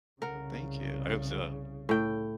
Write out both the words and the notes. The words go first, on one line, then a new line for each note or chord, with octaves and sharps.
Thank you. I hope so.
C2 C#3 A#4 F#5
A2 G5